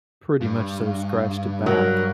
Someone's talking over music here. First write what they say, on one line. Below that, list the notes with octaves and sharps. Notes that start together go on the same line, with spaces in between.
pretty much so scratched it back.
G2
F#3 A#4